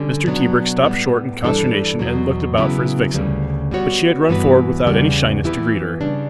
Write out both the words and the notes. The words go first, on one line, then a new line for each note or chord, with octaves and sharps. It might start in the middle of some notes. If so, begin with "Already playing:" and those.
Mr. Tebrick stopped short in consternation and looked about for his vixen, but she had run forward without any shyness to greet her.
Already playing: D3 G3 C#4
B2 F#3 B3 D4
A2 G3 B3
G2 E3 G3 D4 A4
E2 B2 F#3
C#3 F#3 B3 E4 B4
D2 C#3 G3
G3 B3 F#4 C#5
G2 E3 B3 F#4 B4
E2 C#3 G3 B3
E3 B3 E4 G4 B4
C#3 G3 D4